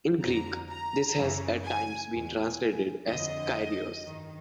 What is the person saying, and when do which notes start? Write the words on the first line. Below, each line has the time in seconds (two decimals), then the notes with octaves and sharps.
In Greek, this has at times been translated as "Kyrios".
0.20 F2 D3 A#5
0.68 A#5
1.17 F#2 C#3 E3
1.64 G#5
2.12 E2 B2 G#5
3.08 F2 D3 D#5
4.04 G2 D#3